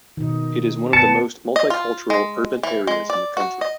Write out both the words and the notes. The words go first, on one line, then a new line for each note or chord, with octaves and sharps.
It is one of the most multicultural urban areas in the country.
B2 D#3 D#4
B3 A5 C#7
D#5
F4
G#3
E3
G#3
D5
F#4
D#5